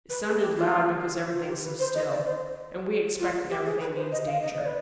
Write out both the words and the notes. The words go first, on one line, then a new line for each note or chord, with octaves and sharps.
It sounded loud because everything's so still, and we expect that everything means danger.
B4
G#4
G4
F4
F4
G4
B4
C5
D#5
D5
C5
F4
G4
G#4
B4
C5
D#5
F5
D#5
D5
B4